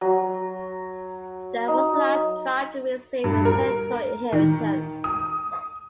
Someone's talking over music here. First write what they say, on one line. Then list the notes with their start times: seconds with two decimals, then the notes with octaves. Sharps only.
Dan was the last tribe to receive its territorial inheritance.
0.01 F#3
1.68 D#4
3.24 G2
3.45 A#4
4.32 D#3
5.04 D#6